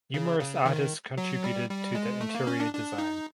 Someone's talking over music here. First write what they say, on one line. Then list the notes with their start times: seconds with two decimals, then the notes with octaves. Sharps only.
Numerous artists contributed to the interior design.
0.14 C#3
0.40 C#3
0.66 D#3
1.18 F#3
1.44 G3
1.70 G3
1.95 G#3
2.21 A3
2.35 A#3
2.47 C#4
2.60 D4
2.74 D4
2.98 D#4